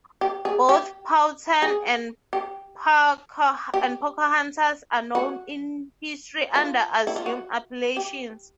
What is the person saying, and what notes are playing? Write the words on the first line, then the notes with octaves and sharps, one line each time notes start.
Both Powhatan and Pocahontas are known in history under assumed appellations.
G4
G#4
G4
G#4
G4
G4
F#4
F4
E4
F4
F#4
G4